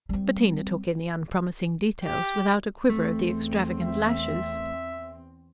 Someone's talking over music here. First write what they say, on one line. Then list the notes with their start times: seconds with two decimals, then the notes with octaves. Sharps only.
Bettina took in the unpromising details without a quiver of the extravagant lashes.
0.09 G3 C4
2.05 G4
2.90 E2 A3 C4
3.81 E5